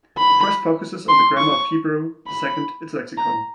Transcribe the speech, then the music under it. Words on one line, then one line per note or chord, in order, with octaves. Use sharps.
The first focuses on the grammar of Hebrew, the second its lexicon.
B5
C6
C#6
B5
A#5